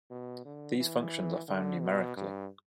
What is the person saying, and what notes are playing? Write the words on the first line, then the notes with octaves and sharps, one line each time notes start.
These functions are found numerically.
B2
D3
E3
D3
B2
G2